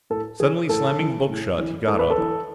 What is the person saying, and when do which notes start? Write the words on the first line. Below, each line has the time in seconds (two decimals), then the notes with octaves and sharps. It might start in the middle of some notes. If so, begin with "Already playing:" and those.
Suddenly slamming the book shut, he got up.
0.10 A2 A4
0.40 E3 G#4
0.69 A2 A4
0.99 E3
1.29 A2
1.58 E3
1.88 A2 A4
1.99 B4
2.10 A4
2.18 E3